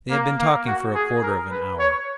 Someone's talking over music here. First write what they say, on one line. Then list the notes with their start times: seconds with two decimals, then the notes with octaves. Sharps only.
They had been talking for a quarter of an hour.
0.11 A#3
0.39 A#3
0.67 F#4
0.95 G#4
1.23 A#4
1.51 B4
1.79 C#5